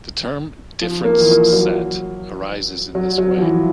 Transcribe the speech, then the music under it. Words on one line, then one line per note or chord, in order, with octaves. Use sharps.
The term "difference set" arises in this way.
F3
A#3
E3
F3
F#3
F#3
F#3
F3
E3